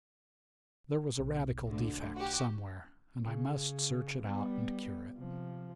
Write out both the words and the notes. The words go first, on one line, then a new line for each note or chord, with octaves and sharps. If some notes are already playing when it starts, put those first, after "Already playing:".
There was a radical defect somewhere, and I must search it out and cure it.
B1
D2 D3
F#4 G4
C#3
G3 B3
C3 F3